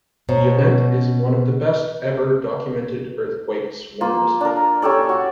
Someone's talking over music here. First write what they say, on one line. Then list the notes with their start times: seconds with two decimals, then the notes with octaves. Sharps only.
The event is one of the best ever documented earthquake swarms.
0.29 B2 C5 C#5 A#5
0.59 C#4
4.01 A#3 F4
4.41 D4 A#4
4.57 A#4
4.82 C#4 G4 A4 D5
5.09 F#4